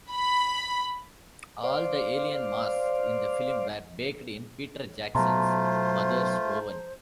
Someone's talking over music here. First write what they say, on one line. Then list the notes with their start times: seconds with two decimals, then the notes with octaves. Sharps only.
All the alien masks in the film were baked in Peter Jackson's mother's oven.
0.11 B5
1.64 C5 D5 F5
5.15 B2 F#3 A3 F4 C5 A5 A#5 C6